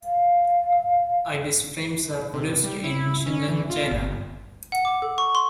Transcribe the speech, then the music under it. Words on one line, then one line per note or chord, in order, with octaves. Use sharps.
Ibis frames are produced in Shenzhen, China.
F5
C3
G3
E4
C#4
E3
F4
G1
F#5
D6
A4
C#6
C6